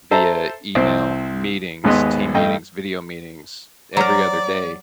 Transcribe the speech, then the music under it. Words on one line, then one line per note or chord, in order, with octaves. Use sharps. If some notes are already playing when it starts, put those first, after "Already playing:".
via email, meetings, team meetings, video meetings every other day,
A4 C5 E5 A5 A#5
C2 C4 C5
G#1 D#2 G#3 B3 D#5 C6
G2 A3 D#5 G5
F#3 A#4 C5 D5 A#5 D6